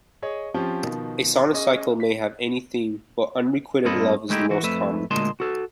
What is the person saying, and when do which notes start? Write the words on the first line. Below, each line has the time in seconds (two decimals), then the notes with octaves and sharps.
A sonnet cycle may have any theme, but unrequited love is the most common.
0.22 G#4 C#5 D#5
0.54 F3 C4 C#4 F4 G4
0.83 B2 D#3 F3
1.54 C#4 G#4 D#5
2.00 B6
3.85 G2 A#3 C4 A4 D#5 B5
4.30 G#3 A3 D#4 E4 G4
4.50 E3 F#4
4.63 F2 A3 B4 E5
5.11 D2 A#2 G#3 D#5 A5 C6
5.40 F#4 A4